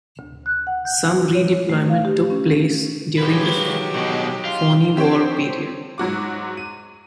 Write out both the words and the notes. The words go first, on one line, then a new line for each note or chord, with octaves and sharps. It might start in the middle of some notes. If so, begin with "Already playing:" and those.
Some redeployment took place during the Phoney War period.
D2
F#6
F#5
G6
F#4
C#5
A3
F5
G4
C#4
D#3 F#3 G#3 G4 B4
B2 G#3
F4
C4 G4 C5 C#5 D7
G#2 F#3 F#4 D6
D#7